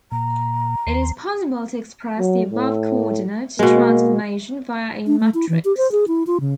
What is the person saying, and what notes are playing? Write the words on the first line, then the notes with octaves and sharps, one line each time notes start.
It is possible to express the above coordinate transformation via a matrix.
A#2 A#5
D#2 C6
F#3
A2
B2 G#3 A#3
D4
A3
E4
E3
G4
C5
G#4
E4
F4
C#3